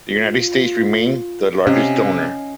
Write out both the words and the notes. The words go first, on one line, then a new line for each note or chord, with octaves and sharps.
The United States remain the largest donor.
F4
C3 C#4 D#5 F5